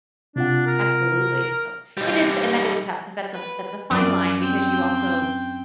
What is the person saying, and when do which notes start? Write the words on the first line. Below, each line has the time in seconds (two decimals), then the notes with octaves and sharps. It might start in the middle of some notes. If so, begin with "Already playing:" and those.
absolutely, so, it is t and that is tough 'cause that's a that's a fine line because you also
0.36 C3 D4 F4 F#5
0.67 A#4
1.97 G3 D#4
3.32 B4
3.91 F#2 F4 D5
4.41 C4 G5